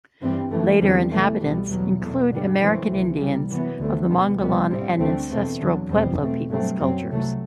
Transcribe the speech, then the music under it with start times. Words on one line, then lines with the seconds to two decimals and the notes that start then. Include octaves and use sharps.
Later inhabitants include American Indians of the Mogollon and Ancestral Pueblo peoples cultures.
0.21 G2 E3 G3 C4
0.51 F#2 E3 A3
0.80 E2 D3 G3 C4
1.10 E2 C3 E3 A3
1.40 C2 B2 G3 B3
1.70 E2 B2 F#3
2.00 E2 B2 F#3 A3
2.30 G2 D3 G3
2.60 F#2 E3 A3 C4
2.89 C2 C3 E3
3.20 C2 C3 G3
3.49 F#2 E3 B3
3.79 D2 D3 A3 C4
4.09 E2 B2 G3 B3
4.39 D2 C3 G3 B3
4.70 A2 G3 C4
4.99 D2 D3 A3 C4
5.29 E2 B2 A3 C4
5.59 E2 D3 F#3
5.89 E2 B2 G3 C4
6.19 B2 A3 C4
6.49 G2 F#3 A3 C4
6.78 F#2 F#3 C4
7.09 C2 C3 F#3 A3